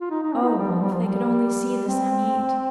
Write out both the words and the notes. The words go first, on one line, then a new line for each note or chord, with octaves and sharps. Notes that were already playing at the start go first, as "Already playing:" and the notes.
Oh, if they could only see the Psammead!
F4
D#4
D#4
C4
F4
D#4
G3
F3
G3
F3
G3
C4